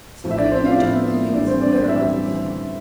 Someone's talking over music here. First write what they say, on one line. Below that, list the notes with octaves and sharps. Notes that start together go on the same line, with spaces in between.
Secret of eternal youth--where art thou?
A2 F3
E5
D4 D5
C4 C5
F4 F5
D5
A2 F3 E4 E5
A2 E3 G3 D4 D5
C4 C5
D4 D5
C4 C5
D5
A2 E3 G3 E4 E5